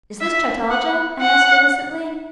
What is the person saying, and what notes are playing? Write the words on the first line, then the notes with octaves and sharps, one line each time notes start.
'Is this Chataldja?' I asked innocently.
E5
F#5
F#5